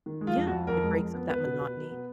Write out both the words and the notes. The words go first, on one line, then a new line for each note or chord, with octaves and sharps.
Yeah, it breaks up that monotony.
D#3
G#3
F4
F2
F#4
F2
F2 A#4
G#3
F2
B3
B3 B4
B2
B2
F#3
B3